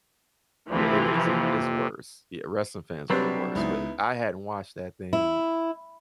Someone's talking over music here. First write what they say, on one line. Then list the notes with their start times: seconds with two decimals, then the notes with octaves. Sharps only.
Yeah. It is, i it's worse. Yeah, wrestling fans are the worst, but I hadn't watched that thing
0.70 D2 C3 E3 F3 A3
1.24 F2 A#3
3.10 C3 F#3 G3 C4 D4 B4 C#5
3.55 C#2 B3 D#4 E4
5.13 E4